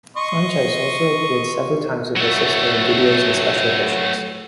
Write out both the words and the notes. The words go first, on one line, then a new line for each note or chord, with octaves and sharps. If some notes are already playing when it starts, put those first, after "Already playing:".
Sanches also appeared several times with her sister in videos and Special Editions.
D#5 C6 C#6
F#3 A3